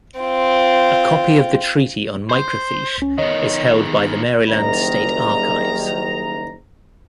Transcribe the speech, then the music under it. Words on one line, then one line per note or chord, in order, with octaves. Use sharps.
A copy of the treaty on microfiche is held by the Maryland State Archives.
C4 F4
C5
C#2 C#4
D#3 B3 C#5 D#5
G#4
F#1 D#3 G3 A#5